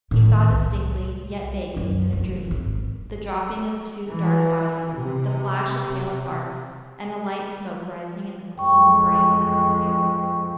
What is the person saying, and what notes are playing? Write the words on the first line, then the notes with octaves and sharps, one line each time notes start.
He saw distinctly, yet vaguely as in a dream, the dropping of two dark bodies, the flash of pale sparks, and a light smoke rising in the clean, bright atmosphere.
A2 D#3
C2
F#2
F1
G#1
E3
C3
F2 G#3 G5 C#6